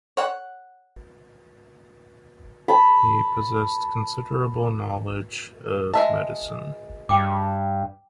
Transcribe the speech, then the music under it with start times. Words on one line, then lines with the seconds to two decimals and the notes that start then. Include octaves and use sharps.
He possessed considerable knowledge of medicine.
0.17 C#5 F#5
2.68 A5 B5
5.94 G#3 E5 A5
7.09 G2 G5 D6